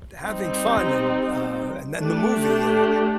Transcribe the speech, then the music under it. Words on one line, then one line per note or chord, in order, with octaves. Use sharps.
having fun and, uh, and then the movie, uh,
G3 C4 D#4
A3 D4 G4